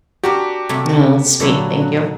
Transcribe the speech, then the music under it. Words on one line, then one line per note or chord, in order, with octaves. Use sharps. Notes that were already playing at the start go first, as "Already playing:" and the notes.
Oh, that's sweet, thank you.
D4 F#4 G4 A#4 D5
C3 A3 A#3
A#2 D3 F#3 A3 E4